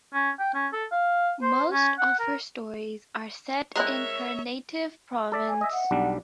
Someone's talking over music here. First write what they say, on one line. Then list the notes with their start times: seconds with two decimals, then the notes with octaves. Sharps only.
Most of her stories are set in her native Provence.
0.13 C#4
0.39 G5
0.54 C#4
0.73 A4
0.92 F5
1.42 C5
1.71 C#4
1.98 F#5
2.20 A#4
3.76 G#3 C4 E4 A#4 C#5 E5 F#6
5.32 A4 D5 E5
5.48 G#5
5.61 D#5 E5
5.72 F#5
5.91 B1 G3 D4